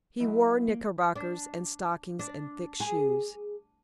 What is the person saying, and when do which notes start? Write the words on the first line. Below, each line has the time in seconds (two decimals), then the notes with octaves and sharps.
He wore knickerbockers, and stockings, and thick shoes.
0.20 F#3 E4 D#5
0.68 A#3
1.16 D4
2.19 D4
2.80 G#4